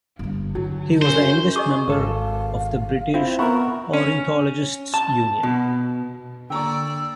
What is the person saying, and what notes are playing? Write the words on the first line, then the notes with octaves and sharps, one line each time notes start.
He was the youngest member of the British Ornithologists' Union.
G1 G3
D3 F#3
F#2 C#4 C5
G#4 D#5 C#6 D6
G#1 A4 F5
C4 E4 F4
B3 A#4 E5 F#5 A#5 B5 C#6
C#4
A5
B2
D3 A#3 D5 G5 A#5 C#6 E6